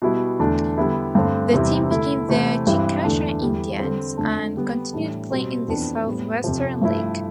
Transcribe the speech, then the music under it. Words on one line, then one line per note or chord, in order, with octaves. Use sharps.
The team became the Chickasha Indians and continued play in the Southwestern League.
B2 G3 B3 E4
E2 D3 A3 D4
D3 G3 B3 E4
G2 D3 A3 C4
E2 C3 G3 C4 E4
D3 A3 E4
C3 E3 A3 C4 E4
G2 E3 G3 C4 E4
E2 D3 A3 D4
E2 D3 G3
D3 G3 C4
F2 D3 A3 D4
D3 G3 B3
A2 E3 G3 D4
B2 G3 C4
F2 E3 B3 D4
A2 G3 B3
F2 C3 F3
G2 F3 A3 E4